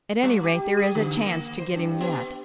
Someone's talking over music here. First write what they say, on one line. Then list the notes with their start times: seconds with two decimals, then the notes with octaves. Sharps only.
At any rate, there is a chance to get him yet.
0.23 G3
0.43 G4
0.79 G#4
0.95 D3
1.21 A#3
1.59 C5
1.74 G2
2.01 B3